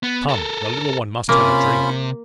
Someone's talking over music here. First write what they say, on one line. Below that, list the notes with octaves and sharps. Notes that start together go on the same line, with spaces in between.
Come! the little one must have a drink.
B3
A4 A#4
C3 A#3 C#4 F4 B5